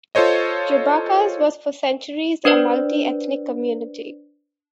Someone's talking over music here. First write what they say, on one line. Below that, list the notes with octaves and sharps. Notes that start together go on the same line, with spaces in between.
Jurbarkas was for centuries a multi-ethnic community.
F4 A4 C5 C#5 D#5
D4 B4 C5 D5